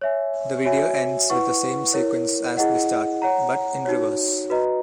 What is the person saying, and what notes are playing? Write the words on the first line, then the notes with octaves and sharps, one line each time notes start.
The video ends with the same sequence as the start, but in reverse.
C#5 E5 G#5
F#4 C#5 E5 G#5
E4 B4 F#5 C#6
E4 A#4 C#5
E4 G#4 D#5 F#5
C#5 F#5 A#5
D#4 F#4 C#5
F#4 B4 D#5 A#5